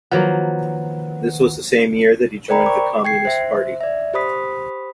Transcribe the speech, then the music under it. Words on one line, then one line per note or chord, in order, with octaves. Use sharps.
This was the same year that he joined the Communist Party.
D#3 F3 F#3 A#3 B4 F#5
A#4 C5 D5 G5 A#5 B5
C#6 D6
G5 G#6 C7
C5 E5
D5 E5
G4 C5 B5 D#6 B6